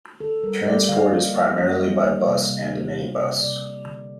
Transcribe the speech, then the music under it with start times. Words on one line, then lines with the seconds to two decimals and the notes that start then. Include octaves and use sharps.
Transport is primarily by bus and minibus.
0.20 D3 A4
0.44 G3 A#4
0.66 G3 D5
0.89 D3 F5
1.12 A#3 D#5
1.35 A#3
1.57 A#3 D#5
1.81 G3
2.04 A#3
2.27 C3
2.49 C3
2.72 A#3
2.95 C3
3.18 C3
3.40 C3 D5
3.63 C3
3.86 D3